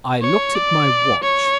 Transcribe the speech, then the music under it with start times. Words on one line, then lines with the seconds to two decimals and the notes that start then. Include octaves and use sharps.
I looked at my watch.
0.22 C#5
0.55 D5
1.23 C#5